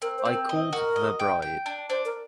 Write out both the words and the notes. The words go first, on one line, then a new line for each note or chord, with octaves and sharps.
I called the bride.
C4 A#4
C5
C4
A#4
D#5
F#4 A#4
D#5
G5
G5
D4
D4 C5
A#4